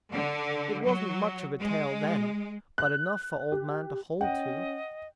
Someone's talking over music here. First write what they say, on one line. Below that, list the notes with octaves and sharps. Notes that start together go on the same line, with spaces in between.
It wasn't much of a tail then, but enough for OLD-man to hold to.
D3
F#3
G#3
F#6
G4
C#4 D#5 F#5 G5